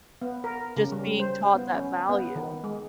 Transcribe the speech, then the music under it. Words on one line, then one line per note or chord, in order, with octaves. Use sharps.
just being taught that value.
B3
A#4
C#3
G3
C5
B3
C#4
B3
D#3
G#3